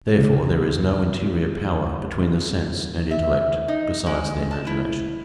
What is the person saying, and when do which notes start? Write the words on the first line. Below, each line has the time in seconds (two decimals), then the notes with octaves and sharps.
Therefore there is no interior power between the sense and intellect, besides the imagination.
0.19 C#2
3.11 E5
3.68 D#4
4.06 G#3
4.51 A5
4.67 E4